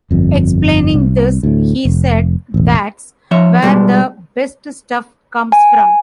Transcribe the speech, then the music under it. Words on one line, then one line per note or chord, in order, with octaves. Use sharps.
Explaining this, he said, that's where the best stuff comes from.
G1 F2
C2
D2 A2
F1
E1 A1
F3 C#5 E5
B2 G3 G#3
G#5